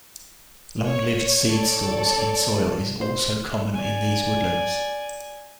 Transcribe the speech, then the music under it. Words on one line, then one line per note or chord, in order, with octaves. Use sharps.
Long-lived seed stores in soil is also common in these woodlands.
C#5
A4 C#5 D5
C5
D5 G#5